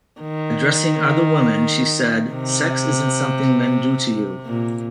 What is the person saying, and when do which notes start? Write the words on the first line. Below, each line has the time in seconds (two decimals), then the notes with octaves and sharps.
Addressing other women, she said, Sex isn't something men do to you.
0.21 D#3
2.33 C3
4.46 A#2